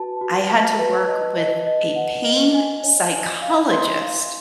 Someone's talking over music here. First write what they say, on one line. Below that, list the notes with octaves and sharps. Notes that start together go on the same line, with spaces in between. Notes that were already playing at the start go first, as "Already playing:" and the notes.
I had to work with a pain psychologist.
Already playing: F#4 B4 A5
F#4
A5
B4
D#5
D#5
D#5
F#5
D#5
G#5
C#5
G#5
F5
C6
F5